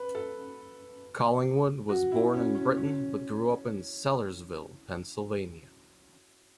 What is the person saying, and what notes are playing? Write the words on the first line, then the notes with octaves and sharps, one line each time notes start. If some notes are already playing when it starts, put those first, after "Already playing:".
Collingwood was born in Britain but grew up in Sellersville, Pennsylvania.
Already playing: B4
A4
F#4
E4
C#4
C#4
C#4